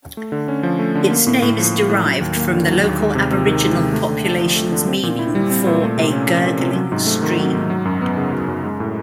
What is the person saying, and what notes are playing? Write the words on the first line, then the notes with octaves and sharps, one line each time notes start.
Its name is derived from the local aboriginal population's meaning for, "a gurgling stream".
A3
D3
C#4
F3
A3
D3
A#3
A2
A2
F3
A#3
A2
F#3
D#2
A#3
D3
F#3
D#2
G#3
C3
C3
D#3
G#3
C3
A3
D3
D4
F3
A3
D3
C4
A#2
E4
G3
C4
A#2
A3
C3
C#4
F3
A3
C3
F#3
G#2
A3
D#3
F#3
G#2
F#3
F#2
B3
C#3
F#3
F#2
G#3
A2